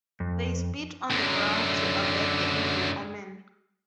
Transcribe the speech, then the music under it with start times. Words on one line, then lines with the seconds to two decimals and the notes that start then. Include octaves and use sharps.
They spit on the ground to avert the evil omen.
0.20 F2
1.11 F#2 D3